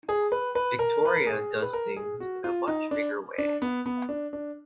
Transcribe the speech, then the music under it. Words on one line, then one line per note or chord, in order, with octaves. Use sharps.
Victoria does things in a much bigger way.
G#4
B4
B4
A#4
B4
A#4
G#4
B4
A#4
G#4
F#4
F4
D#4
D4
D4
B3
B3
D4
D4